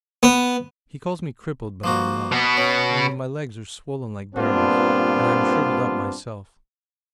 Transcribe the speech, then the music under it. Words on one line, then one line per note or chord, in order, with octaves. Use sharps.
He calls me crippled, but I am not, only my legs are swollen like barrels, and I am shriveled up myself.
B3
F3 A#3 F#4
B2 B3
C#4
G2 A#2 B3 C4 D4 F4